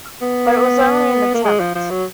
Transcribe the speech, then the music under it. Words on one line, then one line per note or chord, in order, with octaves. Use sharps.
But it was only an attempt.
B3
A#3
G#3
F3
F3
F#3